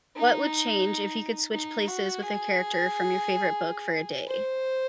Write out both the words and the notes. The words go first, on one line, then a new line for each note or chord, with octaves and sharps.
what would change if you could switch places with a character from your favorite book for a day?
D#4
D#4
F#4
G#4
C5